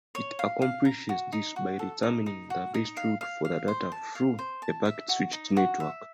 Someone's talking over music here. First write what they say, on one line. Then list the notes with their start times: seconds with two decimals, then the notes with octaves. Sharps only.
It accomplishes this by determining the best route for data through a packet-switched network.
0.15 C#5
0.39 F5
0.62 F5
0.85 A#5
1.09 F#4
1.32 D#4
1.56 F#4
1.79 A4
2.03 D#4
2.26 D#4
2.50 F#4
2.74 D#4
2.97 F5
3.21 F5
3.45 F5
3.68 C5
3.92 A5
4.15 F5
4.39 C5
4.62 A5
4.85 E5
5.09 F#4
5.33 D#4
5.57 F#4
5.80 E5